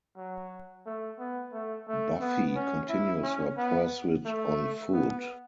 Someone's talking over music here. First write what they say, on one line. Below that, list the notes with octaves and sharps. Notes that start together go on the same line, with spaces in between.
Buffy continues her pursuit on foot.
F#3
A3
B3
A3
A3
B3
C#4
E4
C#4
B3
A3
B3